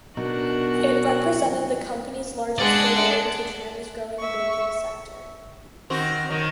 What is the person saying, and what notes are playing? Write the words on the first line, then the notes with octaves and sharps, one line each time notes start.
It represented the company's largest foray into China's growing banking sector.
B1 B2 B3 D4 D#4 F#4 A#4
G#3 D5 F#5 A5
E5 C#6
D#3 C4 F#4
D#3 F#3